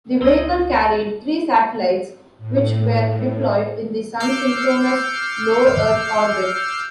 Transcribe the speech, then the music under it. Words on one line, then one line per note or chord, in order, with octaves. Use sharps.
The vehicle carried three satellites which were deployed in the Sun-synchronous Low Earth orbit.
C#2 C4 D#5 G#6
A#4
A2
D6 E6 F6 G6 C7 C#7